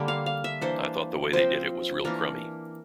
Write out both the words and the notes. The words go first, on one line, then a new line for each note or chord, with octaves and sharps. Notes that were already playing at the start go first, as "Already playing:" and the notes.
I thought the way they did it was real crummy.
Already playing: D3 G3 A#3 D4
F5
F5
E5
E3 A#3 D4 C5
F3 C4 C5
E3 A#3 D4 A#4